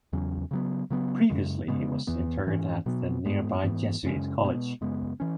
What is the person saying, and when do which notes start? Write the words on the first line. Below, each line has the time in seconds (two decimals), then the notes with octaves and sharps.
Previously, he was interred at the nearby Jesuit college.
0.13 E2 C#3 F#3 C#4
0.51 C#3 F#3 B3
0.90 C#3 F#3 B3
1.30 F#2 C#3 G#3
1.68 C#3 G#3 B3
2.07 E2 E3 B3
2.47 G#2 E3 C#4
2.86 B2 F#3 B3
3.25 G#2 G#3 B3
3.63 G#2 E3 B3
4.03 F#2 C#3 G#3 C#4
4.41 B2 G#3 B3
4.81 F#2 C#3 G#3 B3
5.20 E3 C#4